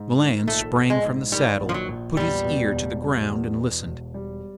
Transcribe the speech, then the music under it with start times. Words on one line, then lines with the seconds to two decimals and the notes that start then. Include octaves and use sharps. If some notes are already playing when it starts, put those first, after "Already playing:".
Milan sprang from the saddle, put his ear to the ground and listened.
Already playing: G#2
0.19 D#3
0.48 A#1 A3
0.76 A#1
0.90 G#3
1.04 G#2
1.32 D#3 G3
1.60 A#1
1.69 F3
1.74 F#3
1.89 A#1
2.17 E2 G3
2.45 B2
2.73 E1
3.02 G3
3.30 E2
3.58 B2
3.86 E1
4.14 G3